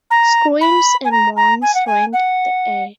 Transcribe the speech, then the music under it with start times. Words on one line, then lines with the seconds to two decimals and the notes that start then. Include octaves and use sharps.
Screams and moans rent the air.
0.11 A#5
0.61 B5
1.05 G#5
1.12 A#5
1.37 A#5
1.62 G#5
1.75 F#5
1.87 G#5
2.13 F#5